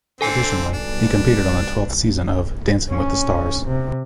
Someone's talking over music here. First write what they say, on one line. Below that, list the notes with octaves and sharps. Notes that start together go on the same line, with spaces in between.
Additionally, he competed on the twelfth season of "Dancing with the Stars".
D3 C4 A4 G#5 C7
B2 G3 D4
C#4
C3